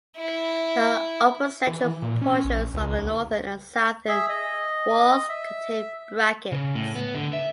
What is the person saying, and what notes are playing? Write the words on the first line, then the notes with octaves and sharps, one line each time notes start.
The upper central portions of the northern and southern walls contain brackets.
E4
E3
A#2
C#4
A#1
C#2
D#2
G#4 E5
D#5
E5
C#3
A2
B3
D3
E5